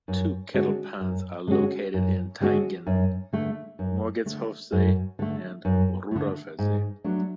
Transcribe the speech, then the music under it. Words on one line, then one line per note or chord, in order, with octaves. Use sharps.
Two kettle ponds are located in Thayngen: Morgetshofsee and Rudolfersee.
F#2
D3 G#3 C#4 F#4
F#2
D3 G#3 C#4 F#4
F#2
D3 G#3 C#4 F#4
F#2
D3 A3
F#2
D3 A3
F#2
D3 A3
F#2
D3 A3
G#2
F#3 A3 D4